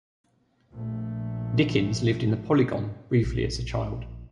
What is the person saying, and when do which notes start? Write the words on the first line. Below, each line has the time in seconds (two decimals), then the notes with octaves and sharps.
Dickens lived in the Polygon briefly as a child.
0.74 A#1 A3
3.23 A#1